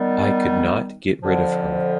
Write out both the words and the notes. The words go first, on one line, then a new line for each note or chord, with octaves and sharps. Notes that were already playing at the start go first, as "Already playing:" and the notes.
I could not get rid of her.
Already playing: D#3 G3 B3
F2 D3 F3